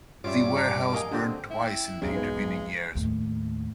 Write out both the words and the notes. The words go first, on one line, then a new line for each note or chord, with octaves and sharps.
The warehouse burned twice in the intervening years.
G2 C#3 F4 C#5 D5 E5 D6
A5 A#5
F#3 A#4 D#5 F5 G#5
D3 F#3 C4 G4
E4 E5 G5
B1 G#2 G#3 C#4
B3 B4 G#6
D#2 A2